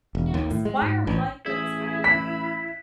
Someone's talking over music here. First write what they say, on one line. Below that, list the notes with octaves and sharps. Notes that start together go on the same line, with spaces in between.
Yes, why are we like this? I you know
E1
D#2
A2
G#3
G#2
A1
A1 E4 G#4
B5 B6